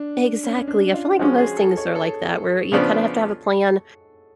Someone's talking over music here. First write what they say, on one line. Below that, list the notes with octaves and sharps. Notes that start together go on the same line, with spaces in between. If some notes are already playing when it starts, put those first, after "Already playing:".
Exactly. I feel like most things are like that, where you kinda have to have a plan
Already playing: D4
C#4
D4
F4
F3 G#3 C#4 F#4
G#4
A4
C#5
A4
C#3 F3 B3 D4